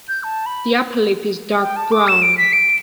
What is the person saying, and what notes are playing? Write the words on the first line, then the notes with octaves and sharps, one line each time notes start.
The upper lip is dark brown.
G6
A5
B5
G5
A5
D6
E7
D7
B6
D7